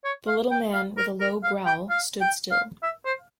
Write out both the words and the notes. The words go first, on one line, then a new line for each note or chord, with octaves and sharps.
The little man, with a low growl, stood still.
C#5
F5
G5
F5
A#4
A#4
F5
G5
F5
G5
F5
E5
C5